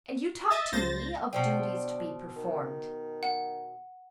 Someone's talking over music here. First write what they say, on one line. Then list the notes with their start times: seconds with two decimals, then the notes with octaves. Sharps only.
And you talk to me of duties to be performed!
0.50 D#5 E5 A6
0.73 C#2 C5 A6 A#6
1.33 B2 D4 C5 G5
2.36 D#3
3.23 F#5